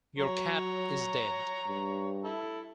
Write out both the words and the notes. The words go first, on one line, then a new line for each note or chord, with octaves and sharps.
Your Cat Is Dead.
F#3 C#5 A#5
G2
E4 A4